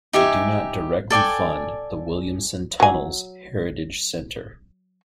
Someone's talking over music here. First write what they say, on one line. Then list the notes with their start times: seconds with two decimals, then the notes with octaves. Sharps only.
They do not directly fund the Williamson Tunnels Heritage Centre.
0.13 D#4 G4 E5 G#5
1.10 A4 D5 G5 G#5
2.80 F#3 G#5